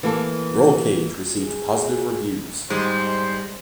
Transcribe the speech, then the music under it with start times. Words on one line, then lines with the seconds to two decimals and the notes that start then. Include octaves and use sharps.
"Rollcage" received positive reviews.
0.03 E3 A#3 A4
1.35 G#4
2.70 G#2 G3 G#3 C5